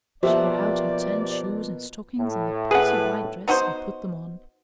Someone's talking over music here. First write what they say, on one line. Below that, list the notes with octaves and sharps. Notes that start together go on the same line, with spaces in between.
She got out her tan shoes and stockings and the pretty white dress and put them on.
B2 F3 A#3 G4 C5 D5 E5 F#5
A2
G#4 B4 F#5
B3 D#4 F#4 C5